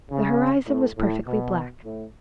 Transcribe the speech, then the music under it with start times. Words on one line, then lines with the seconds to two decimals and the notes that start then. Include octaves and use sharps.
The horizon was perfectly black.
0.10 C#3
0.67 A2
0.96 A2
1.25 B2
1.83 A2